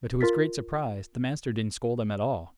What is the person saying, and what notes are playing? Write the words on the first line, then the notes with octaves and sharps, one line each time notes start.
But to his great surprise the master didn't scold at all.
F4 A#4 A6 B6